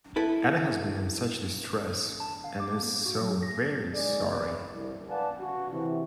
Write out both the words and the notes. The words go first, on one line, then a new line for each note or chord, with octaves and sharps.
Ada has been in such distress, and is so very sorry.
E4 A4 B4
A5
F5
D6
A#3
F#4
F#3
A#6
G#2 G#3 G#4 D5
B4 D5
C2
B4 D5 F5 F#5 G#5 A5
F#4
C3 E3